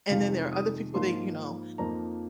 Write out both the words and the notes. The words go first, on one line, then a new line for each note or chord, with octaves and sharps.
and then there are other people they you know,
F2 C3 D#3 G#3 D#4 F5
D#6
G#2 F3 A#3 D#4 C6
F2 F3 A#3 D#4 A#5